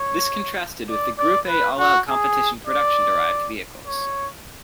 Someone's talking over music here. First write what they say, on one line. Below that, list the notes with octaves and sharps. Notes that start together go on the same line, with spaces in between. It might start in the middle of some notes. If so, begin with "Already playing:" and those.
This contrasted with the Group A all-out competition production-derived vehicles.
Already playing: C#5
D5
D5
B4
F#4
G#4
D5
C#5